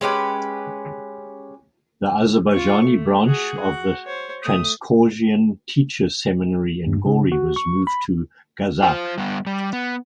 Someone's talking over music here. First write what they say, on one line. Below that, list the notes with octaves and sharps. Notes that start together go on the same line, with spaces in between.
The Azerbaijani branch of the Transcaucasian Teachers Seminary in Gori was moved to Gazakh.
G#3 C#4 G4 B4
F4 C#6
A3
F#4 G#4
F#4
C5 C#5
A3 D#6
G2
C#3
F#4
C#6
B5
F4 C5
G3 B3
G3
B3